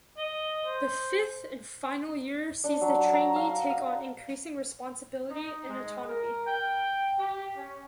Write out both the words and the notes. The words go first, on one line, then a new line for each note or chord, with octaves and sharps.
The fifth and final year sees the trainee take on increasing responsibility and autonomy.
D#5
C5
D4
F#3
A#5
F5
F5
D#4
G#3
A#4
G5
G4
C#4